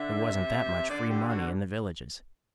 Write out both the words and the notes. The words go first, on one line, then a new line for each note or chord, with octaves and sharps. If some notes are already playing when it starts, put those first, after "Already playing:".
There wasn't that much free money in the villages.
Already playing: D3 E5
C3
D3 D5
G4
F#4